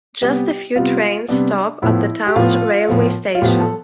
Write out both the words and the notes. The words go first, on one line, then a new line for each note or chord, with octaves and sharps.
Just a few trains stop at the town's railway station.
C3 G3 B3 G4
C3 G3 B3 F4
C3 G3 B3 D4
A2 F3 B3 E4
G4
A2 F3 B3 F4
A2 F3 B3
F4
A2 F3 B3 G4
A4